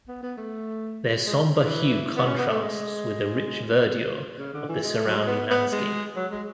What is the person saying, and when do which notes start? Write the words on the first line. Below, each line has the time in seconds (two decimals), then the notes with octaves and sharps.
Their somber hue contrasts with the rich verdure of the surrounding landscape.
0.08 B3
0.23 B3
0.37 A3
1.27 G#3
1.61 E3
2.17 B3
2.27 C#4
2.39 B3
2.50 A3
2.61 G#3
4.39 C#3
4.54 D3
4.69 E3
4.84 G#3
4.95 A3
5.06 F#3
5.17 G#3
5.27 B3
5.51 B3
5.72 G#3
6.16 F#3
6.32 G#3